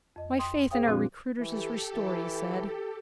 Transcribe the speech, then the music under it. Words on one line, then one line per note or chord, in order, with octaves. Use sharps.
"My faith in our recruiters is restored," he said.
F2 D#5
G5 C6 D#6
G#4 C5 F5 G5 D#6
A#2 F3 C4 D4 F#4
E3 G4 A4
E3